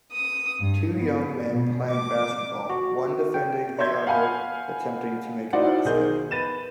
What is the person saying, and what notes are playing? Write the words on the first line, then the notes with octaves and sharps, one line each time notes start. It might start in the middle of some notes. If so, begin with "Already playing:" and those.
Two young men playing basketball, one defending the other attempting to make a basket.
D#6
G2
B3
B2
D6
F#4
G5
C#5 E5 C6 G6 G#6
F5 F#5 G#5 B5 G6
D#4 E4 F#4 C5 D5 F#5
B1 D#3 G#4 C5 D#5 G6
B4 A6 D#7 E7